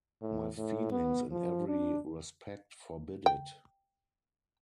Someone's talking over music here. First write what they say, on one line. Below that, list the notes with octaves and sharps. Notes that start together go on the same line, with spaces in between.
My feelings in every respect forbid it.
A2
A2
B3
F3
D4
G5